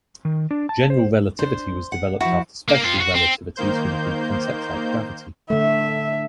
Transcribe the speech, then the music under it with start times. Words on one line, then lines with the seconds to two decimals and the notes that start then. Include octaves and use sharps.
General relativity was developed after special relativity to include concepts like gravity.
0.25 D#3
0.51 D4
0.69 A5
0.90 C5
1.39 D4 C5
1.92 F#5
2.21 F3 E4 F#4
2.68 A#3
2.84 C4 F4
3.00 F#4
3.14 C4
3.56 D#3 A#3 C5 G6
5.50 D3 A3 E5